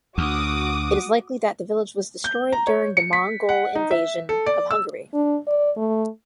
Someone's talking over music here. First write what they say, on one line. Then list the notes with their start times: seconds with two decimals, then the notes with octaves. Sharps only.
It is likely that the village was destroyed during the Mongol invasion of Hungary.
0.18 D2 F#4 D6 D#6
2.24 G6
2.53 A#5
2.67 C#5
2.97 C#7
3.13 B6
3.49 F#5
3.75 D#4
3.91 E5
4.29 A4
4.46 D5
4.71 E6
5.14 D4
5.47 D5
5.77 A3